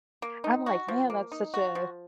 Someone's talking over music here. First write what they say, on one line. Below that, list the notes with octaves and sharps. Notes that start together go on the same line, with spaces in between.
I'm like, "Man, that's such a"
A#3
D#4
F#4
F3
A#3
D#4
F#4
F3